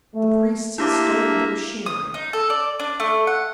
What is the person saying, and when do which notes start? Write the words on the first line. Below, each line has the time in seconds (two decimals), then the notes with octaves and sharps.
The priests had started the machinery.
0.15 A3
0.78 A#3 D4 E4 G4 E5 D6
1.86 D#6
2.14 D#4
2.33 A4
2.50 D5
2.80 D4
3.00 A3
3.27 F#5